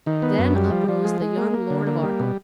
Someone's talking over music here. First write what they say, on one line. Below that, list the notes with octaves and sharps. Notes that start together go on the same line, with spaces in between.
Then uprose the young Lord of Arkell.
D#3
B3
F#2
G3
F3
F3
G#3
G#3
A#3
A#3
D3
A#3
G3
B2